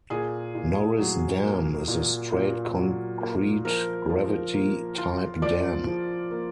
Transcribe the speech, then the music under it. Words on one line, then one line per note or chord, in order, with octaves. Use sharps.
Norris Dam is a straight concrete gravity-type dam.
A#2 G#4
A#2
F#3
A#3
A#2
A#2
F#3
A#3
F3 A#4
F3
A#3
F4
F3 D5
F3
A#3